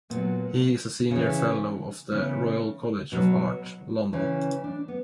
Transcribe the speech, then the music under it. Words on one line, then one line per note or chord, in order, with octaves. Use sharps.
He is a Senior Fellow of the Royal College of Art, London.
A#2 F#3 B3
C#3 E3
C#3 E3 B3
B2 F#3
C#3 E3
D4
B3